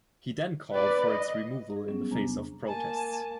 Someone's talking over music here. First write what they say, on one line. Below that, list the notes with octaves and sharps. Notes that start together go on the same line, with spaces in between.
He then called for its removal in the face of protests.
B4 D5
D#5
G#4
F#3 G3 B3 C#4
E2 C3 B3 D4 A#5
A#3 G#5 A5